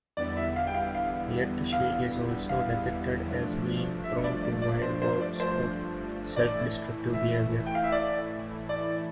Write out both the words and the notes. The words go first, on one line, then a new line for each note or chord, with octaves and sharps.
Yet she is also depicted as being prone to wild bouts of self-destructive behavior.
E2 D3 G3 B3 E4 D5
E5
F5
G5
F5
F5
F5
F5
G2 F3 A3 D4
E5
D5
D5
D5
C5
C5
D5
C5
A2 E3 A3 E4 D5
E5
G5
F5
E5
D5
D5